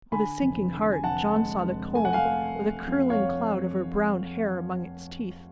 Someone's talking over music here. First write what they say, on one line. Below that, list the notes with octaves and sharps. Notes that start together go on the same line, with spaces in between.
With a sinking heart John saw the comb with a curling cloud of her brown hair among its teeth.
D3 G#5 B5
F1
D3
G#5
F1 F#5 A5
G#3
F1
A3 G#5
F#5
F5 G#5
A3
A3
F2
C#5 F5